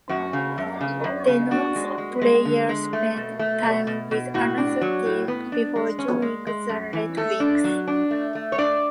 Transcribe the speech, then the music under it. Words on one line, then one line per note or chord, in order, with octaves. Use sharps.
Denotes player spent time with another team before joining the Red Wings.
F#2 F#4
C#3
F#2
C#3
F#2
C#3
D4 F#4
G#3
G#3
G#3
D3
G#3
A3
B2
A3
B2
B2
B2
A2 F#4
D4
F#3
A2
B3
D4
G#3
C#4
G#3
G#3
F#2
E3
A3 A4
D4
F#3
D4
A3
A3
C#5
D4 D5